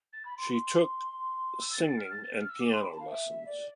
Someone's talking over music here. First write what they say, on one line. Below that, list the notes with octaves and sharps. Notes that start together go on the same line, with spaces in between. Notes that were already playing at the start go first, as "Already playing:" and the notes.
She took singing and piano lessons.
A6
B5
C6
C6
E6
A6
A6
F6
A6
A6
F6
E6
D6
C6
B5
A5
F5
E5
D5